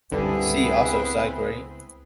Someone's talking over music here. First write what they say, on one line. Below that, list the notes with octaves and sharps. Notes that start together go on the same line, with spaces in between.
See also: sidegrade.
C#2 G2 D3 B3 C4 E4 G#4